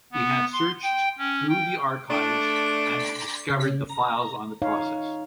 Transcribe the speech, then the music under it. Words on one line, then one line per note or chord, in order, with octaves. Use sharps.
We had searched through the archives and discovered the files on the process.
B3
C6
G5
C#4
G5
A3 D4
C#3
A#5
D#4 C#5 F5